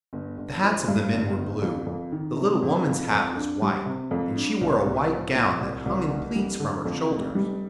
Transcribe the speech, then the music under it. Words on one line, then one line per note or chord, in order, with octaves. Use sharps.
The hats of the men were blue; the little woman's hat was white, and she wore a white gown that hung in pleats from her shoulders.
G1
G1
F3
G2
G1
G1
F2
F2
D#3
C3
F2
F2
F2
D4
G3
C3
F2
D4
C2
C2
F3
A#2
C2
C2
F1
G3
D3
F2
F1
G3